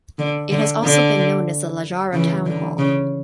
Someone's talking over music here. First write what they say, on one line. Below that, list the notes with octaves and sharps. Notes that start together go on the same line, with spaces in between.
It has also been known as the La Jara Town Hall.
D3
D3
D3
C#3 E3
D3
C#3